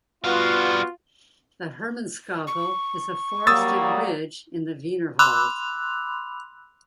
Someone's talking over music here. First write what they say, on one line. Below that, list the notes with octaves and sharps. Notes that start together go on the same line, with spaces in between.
The Hermannskogel is a forested ridge in the Wienerwald.
G3 B3 F4 F#4 F5
C#6
F#3 G3 A#3 D#6 E6 A6
B5 C6 D6 E6 F#6 F7